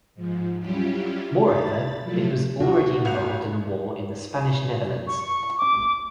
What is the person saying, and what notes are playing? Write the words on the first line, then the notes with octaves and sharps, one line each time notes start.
Moreover, it was already involved in a war in the Spanish Netherlands.
G#2 F3
F#3 G3 C#4 E4 F4 G4
B5 A6
F3 F#3 A3 E4 F4
D#2 F#4
G#1 F#5 F7
C#6
C#6
D6